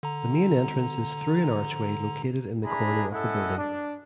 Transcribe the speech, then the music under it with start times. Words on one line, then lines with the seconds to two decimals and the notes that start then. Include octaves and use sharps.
The main entrance is through an archway located in the corner of the building.
0.03 D3 A#5
2.64 D4 E4 G#4 A#5 B5
3.12 C#4 E4 A4 D#5 F#5
3.57 D4